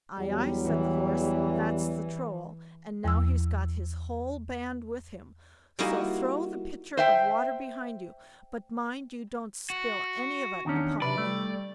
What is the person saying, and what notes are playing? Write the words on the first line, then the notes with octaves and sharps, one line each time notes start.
'Aye, aye', said the Horse, 'that's the Troll, and now he's got his whole band with him, so throw the pitcher of water behind you, but mind you don't spill any of it upon me.'
E2 F#3 G3
E3
E2 F3 E6
G3 A#3 D#4 E4 F#4 D#5
C5 E5 G5
F#4
E2 D#3 C#4 D4
C3 B4 D5
G3 A3